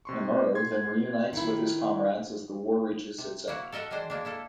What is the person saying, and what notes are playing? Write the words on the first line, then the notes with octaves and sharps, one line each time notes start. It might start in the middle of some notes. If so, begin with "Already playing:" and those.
Amuro then reunites with his comrades as the war reaches its end.
C3 C6 C#6
C6 G#6
D#3 E4
C3
A#3 E4 F#4
A4 A#4 D#5 E5 F#5
D#3 E3 G#3 D4 C5
G#3 A#3 D4
A#3 E4 A4